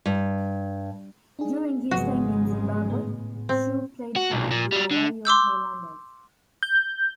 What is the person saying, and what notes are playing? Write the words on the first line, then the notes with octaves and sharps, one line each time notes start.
During his time in Zimbabwe, Shue played for the Bulawayo Highlanders.
G2
D4 D#4 G#4
G#1 C#3 F3 F#3 G#3 B3 F#4
A2 B3
C4
F#4
B1 A#2
A#2
F#3 G3
D3
C6 D6 E6 G6
G6